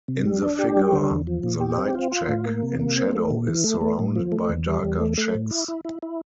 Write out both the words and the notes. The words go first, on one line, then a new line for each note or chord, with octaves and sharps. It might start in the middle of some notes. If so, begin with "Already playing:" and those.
In the figure, the light check in shadow is surrounded by darker checks.
C3
G3
D4
G4
G3
D3
E2
F3
A#2
G4
C4
F4
F4
A2
A#3
C3
A#3
C4
A3
A#2
E3
A3
A3
A2
F3
A3
E2
G3
E2
A3
A3
A2
E4
E4
E4
E4